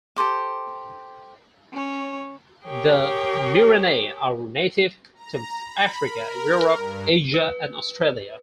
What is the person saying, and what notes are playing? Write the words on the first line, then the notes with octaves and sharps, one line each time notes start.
The Murinae are native to Africa, Europe, Asia, and Australia.
G4 A4 C5 D6
C#4 C#5
G4 G#4 A#4 C#5 G5
A#5
B5
A#4
G2
B4